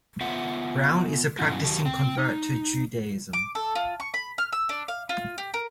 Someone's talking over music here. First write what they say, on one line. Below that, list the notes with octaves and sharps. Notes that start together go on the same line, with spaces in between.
Brown is a practicing convert to Judaism.
B3 F4 C5 E5 F#5
G2 B2 F#3 C#4 E4 F#4
D#3 F#3 G4 A5
C4 G5
D#4
D6
A4
F4
C#6
B5
F6
E6
D4
F5
F4
G4
A#4